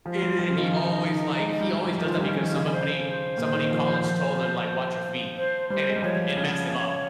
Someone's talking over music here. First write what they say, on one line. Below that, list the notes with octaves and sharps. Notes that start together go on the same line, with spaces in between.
and and he always, like he always does that because somebody somebody in college told him, like, "Watch your feet," and it f it messed him up.
F3 F4
G3
F3
C#3
D#3
C#4
F3 D#4
G#3
G3
G3
F3
F3
D#3 F4
G3
F3 C#4
D#3 C#4
C#3 G#4
C#3 C5
A#2
D#3
F3
F3
F3
C5
G3 C5
G#3
G3
F3 C#5
C#3
C#3